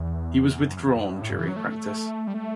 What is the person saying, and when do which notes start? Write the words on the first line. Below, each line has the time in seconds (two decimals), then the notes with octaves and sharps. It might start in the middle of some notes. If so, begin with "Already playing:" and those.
He was withdrawn during practice.
Already playing: E2
0.50 E2
0.62 F#2
0.79 E2
0.96 F#2
1.13 G2
1.22 A2
1.31 G2
1.39 E3
1.48 F#3
1.56 A3
2.27 G3
2.34 A3